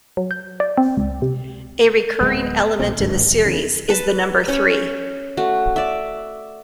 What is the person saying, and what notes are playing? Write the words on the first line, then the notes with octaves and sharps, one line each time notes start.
A recurring element in the series is the number three.
F#3
G6
D5
C4
C#2
C3
D1 G#3 B3
B1 A#2 C4
G#1 C#2 G2
F1
E2 C#3
B4 A5
C#4 C#5
A3 F#4
D5 E5